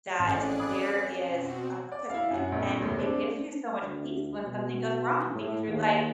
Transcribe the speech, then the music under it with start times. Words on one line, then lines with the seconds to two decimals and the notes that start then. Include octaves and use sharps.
that there is a purpose in it, and it gives you so much peace when something goes wrong because you're like,
0.19 A1 F2 C#4 G#4 D5 F#6
0.59 B5 D#6 G#6
1.25 B2 C4 F#4
1.92 D5
2.10 E4 F5
2.31 F#2 F#4
2.52 A#1 F2
2.82 D#2 A2
2.99 A3 C4 D4
3.81 D2
4.46 B2
5.35 A2
5.68 D#2